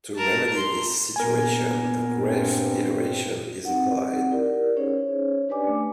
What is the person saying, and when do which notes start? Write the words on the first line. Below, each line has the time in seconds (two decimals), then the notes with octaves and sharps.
To remedy this situation, the Graeffe iteration is applied.
0.16 A#4 A5
0.57 C6
1.16 A#2 B3 A#4 G#5
2.19 G2 C4
3.65 C4 D#4 F#5
4.31 E4 G4 A#4 D5
4.77 C#4 D#4 G#4 C5 C#5
5.49 D4 G4 B4 D5 G#5 D6
5.67 A3